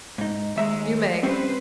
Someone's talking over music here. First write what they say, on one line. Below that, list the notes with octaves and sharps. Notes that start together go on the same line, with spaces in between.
"You may."
G#2 D#4
D#2 G#3 E5 A#5
G3 C4 C#4 B4 C5